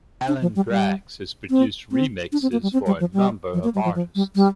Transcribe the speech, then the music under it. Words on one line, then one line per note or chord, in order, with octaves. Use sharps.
Alan Braxe has produced remixes for a number of artists.
D4
F3
G3
G3
C4
C4
D4
C4
A#3
G3
C4
G3
F3
G3
F3
A#3
G3
F3
F3
G3
G3